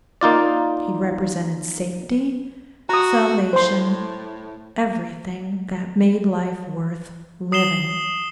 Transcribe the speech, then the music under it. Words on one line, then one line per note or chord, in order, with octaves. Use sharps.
He represented safety, salvation, everything that made life worth living.
A#3 D#4 F4 D5
F#4 A#5 D#6
A2 C5 C6
D#6 C7 E7 G7